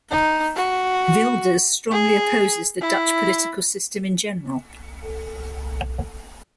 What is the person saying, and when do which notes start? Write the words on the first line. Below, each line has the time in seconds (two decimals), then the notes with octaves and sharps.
Wilders strongly opposes the Dutch political system in general.
0.11 D#4
0.55 F#4
1.91 G#4
2.81 E4